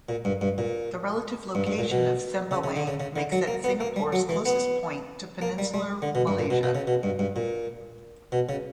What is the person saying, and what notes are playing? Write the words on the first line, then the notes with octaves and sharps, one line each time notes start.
The relative location of Sembawang makes it Singapore's closest point to Peninsular Malaysia.
A#2
G2
G2
A#2
G2
G2
A#2
B2
C#3
C#3
D3
C#3
C#3
D3
F#3
A#3
B3
A#3
G3
F#3
E3
B3
A#3
G3
G3
D3
B2
G2
A#2
B2
B2
C#3
B2
G2
G2
A#2
B2
C#3